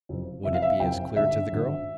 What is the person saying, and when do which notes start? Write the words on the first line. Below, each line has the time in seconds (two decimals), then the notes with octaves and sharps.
Would it be as clear to the girl?
0.09 F#1 F2 C3
0.44 F#1 F2 C3 E5
0.54 F5
0.62 E5
0.80 F#1 F2 C3 G5
1.16 G#1 G2 D3 E5
1.52 G#1 G2 D3